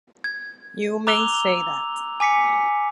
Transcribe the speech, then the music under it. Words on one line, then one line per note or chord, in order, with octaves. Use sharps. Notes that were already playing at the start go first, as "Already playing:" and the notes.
You may say that.
G#6
A#5 D6 E6 F#6 F7 G7
G#5 D6 B6 C#7